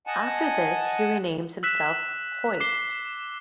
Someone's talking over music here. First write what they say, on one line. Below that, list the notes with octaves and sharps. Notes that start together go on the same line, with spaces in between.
After this, he renames himself Hoist.
D#5 F#5 G#5 A5
E6 F#6 B6 E7
D6 C7 G7